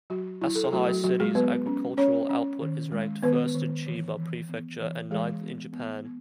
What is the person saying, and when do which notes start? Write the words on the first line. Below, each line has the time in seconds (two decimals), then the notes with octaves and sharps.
Asahi City's agricultural output is ranked first in Chiba Prefecture and ninth in Japan.
0.10 F#3 F#4
0.42 F#3 E4
0.55 A4
0.64 G#4
0.72 F#3 A3 F#4
0.88 F#3 F#4
1.04 F#3 F#4
1.20 G#3 G#4
1.35 F#3 B3 B4
1.67 C#4
1.97 C#4 C#5
2.29 C#4
2.61 D#3
2.92 G#3
3.23 D#3 B3 B4
3.55 D#3
3.86 E3
4.17 E3
4.49 B3
4.80 E3
5.10 E3 G#3 G#4
5.43 B3
5.73 B3
6.05 B3